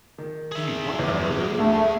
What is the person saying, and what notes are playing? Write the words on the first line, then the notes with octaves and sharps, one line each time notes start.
"Do you want to murder me?"
D#3
G#4 E5
E2 D6
D2 A3